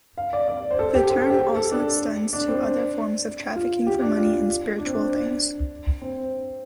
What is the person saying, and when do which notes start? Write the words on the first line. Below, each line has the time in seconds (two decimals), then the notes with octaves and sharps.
The term also extends to other forms of trafficking for money in spiritual things.
0.18 F5
0.33 D5
0.48 D5
0.71 C5
0.79 A4
0.95 G4
1.09 C5
1.20 A4
1.30 G4
1.40 G4
1.56 A4
1.71 D4
2.33 D4
2.48 C4
2.63 D4
3.56 F4
3.87 G4
4.01 D4
4.17 F4
4.78 D4
4.86 C4
4.93 D4
6.02 C4